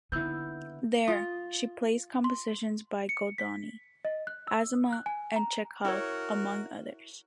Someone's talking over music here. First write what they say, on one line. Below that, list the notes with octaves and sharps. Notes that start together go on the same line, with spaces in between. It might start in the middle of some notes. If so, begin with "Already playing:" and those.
There, she plays compositions by Goldoni, Azama and Chekhov, among others.
D3 B3 E4 E6 G6
F4 D#6
C6
C#7
B6
D#5
F#6
E6
F#6
G#5
A#5
E4 F#4 A#4 C#5